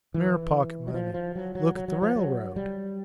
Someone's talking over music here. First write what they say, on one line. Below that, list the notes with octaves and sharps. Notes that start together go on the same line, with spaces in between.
Mere pocket money! Look at the railroad!
E3
F#3
F3
F3
F#3
F#3
F#3
F#3
F3
F#3
G3